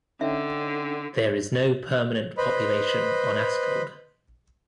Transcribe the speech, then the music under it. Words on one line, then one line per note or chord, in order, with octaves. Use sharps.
There is no permanent population on Askold.
D3 C#4 D#4 E5 G5
B4 C5 D#5 B5